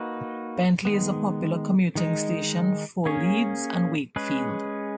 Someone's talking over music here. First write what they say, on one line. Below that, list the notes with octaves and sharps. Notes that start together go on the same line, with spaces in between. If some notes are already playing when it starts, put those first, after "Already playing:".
Bentley is a popular commuting station for Leeds and Wakefield.
Already playing: A#3 D#4 F#4 B4
D#3 G#3 B3
D#3 G#3 D#4
A#3 C#4 G#4 C#5
G#3 C#4 G#4 B4